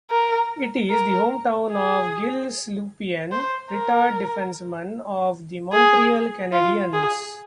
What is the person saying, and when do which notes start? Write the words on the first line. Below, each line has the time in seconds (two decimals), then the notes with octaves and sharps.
It is the hometown of Gilles Lupien, retired defenceman of the Montreal Canadiens.
0.10 A#4
0.90 A#4
1.72 G#4
3.32 C5
3.72 A#4
5.73 G#4
6.52 F4
6.93 G#4